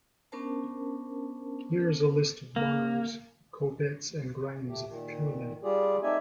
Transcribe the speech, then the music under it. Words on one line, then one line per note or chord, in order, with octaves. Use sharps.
Here is a list of Munros, Corbetts and Grahams of the Cuillin.
B3 C#4 D4 A#4 C5 A5
A#3
A3 G4
A#2 D#3
G3 F4 G4 G#4 D5
A3 C4 D#4 D5 E5 G#5